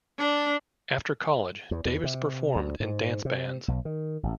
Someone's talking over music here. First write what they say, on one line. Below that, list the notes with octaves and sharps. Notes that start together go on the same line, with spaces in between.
After college, Davis performed in dance bands.
D4
E2
E2
C3
D2
G#2
C3
B1
D#3
A1